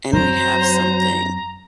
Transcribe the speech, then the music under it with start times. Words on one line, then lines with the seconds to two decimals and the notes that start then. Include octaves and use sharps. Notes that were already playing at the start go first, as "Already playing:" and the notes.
and we'd have something,
0.13 F#2 F#3 C4 C5 A#5